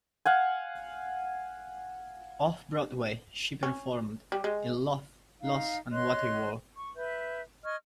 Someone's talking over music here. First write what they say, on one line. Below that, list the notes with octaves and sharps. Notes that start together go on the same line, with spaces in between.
Off-Broadway, she performed in "Love, Loss, and What I Wore".
F5 F#5 G#5
C#4
G3
G#3
D#4 F5
C#5 D#5 C6 F#6
C#6
B4 E5 G6
D#5 C#6 F6 G#6